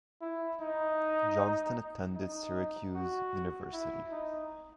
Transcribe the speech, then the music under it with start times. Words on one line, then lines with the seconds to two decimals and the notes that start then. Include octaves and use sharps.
Johnston attended Syracuse University.
0.21 E4
0.60 D#4
2.16 D#4
2.95 F#4
3.73 E4
4.11 D#4